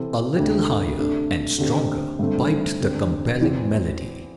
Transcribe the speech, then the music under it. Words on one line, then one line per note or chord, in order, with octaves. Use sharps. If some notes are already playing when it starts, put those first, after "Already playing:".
A little higher and stronger piped the compelling melody.
Already playing: C3 E3 C4 E4 A4
D2 C3 A3 D4 G4
C3 A3 D4
D3 A3 C4 G4
G2 D3 A3 C4
D3 C4 G4
E2 E3 C4